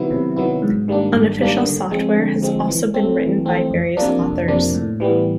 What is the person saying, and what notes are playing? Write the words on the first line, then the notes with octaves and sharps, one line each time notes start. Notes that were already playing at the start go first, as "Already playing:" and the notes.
Unofficial software has also been written by various authors.
Already playing: C3 D#3 F#3 B3 E4
C3
D#3 F#3 B3 E4
G#2
D#3 G3 A#3 D4
G#2
D#3 G3 A#3 D4
D3
F3 G#3 C4
D3
F3 G#3 C4
E3
A3 C4
E3
A3 C4
F2
C3 F3 A#3 D4
F2
C3 F3 A#3 D4
A2
E3 G3 B3